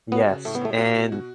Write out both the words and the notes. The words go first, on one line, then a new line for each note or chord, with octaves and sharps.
Yes, and
B3 F#4
C#3
A2 A3
B3
A2 A3
F#4
B2
F#4